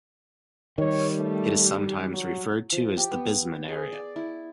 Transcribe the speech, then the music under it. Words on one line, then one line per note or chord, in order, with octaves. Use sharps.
It is sometimes referred to as the Bisman area.
D#3 G3 C#5
A3
F#3
F3
G4
B3
G#4
D5
E4